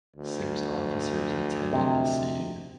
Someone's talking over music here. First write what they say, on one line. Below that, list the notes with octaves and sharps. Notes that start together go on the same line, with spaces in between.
Six officers attended the scene.
D2
C3 D#5